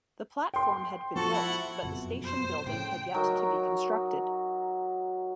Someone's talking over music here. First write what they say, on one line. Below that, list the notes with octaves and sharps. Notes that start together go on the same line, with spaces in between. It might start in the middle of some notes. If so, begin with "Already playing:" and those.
The platform had been built, but the station building had yet to be constructed.
G5 C6
F3 F#4 A4
E4 F#5
F#1 F2 B2
C5
A2 C#3 G5
F#3 D#4 F#4 A#4